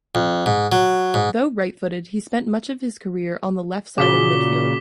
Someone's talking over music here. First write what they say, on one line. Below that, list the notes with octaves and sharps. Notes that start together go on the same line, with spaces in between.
Though right-footed, he spent much of his career on the left side of midfield.
F2
G#2
F#3
G#2
A#2 C#3 F#4 G#4 D6 B6 G7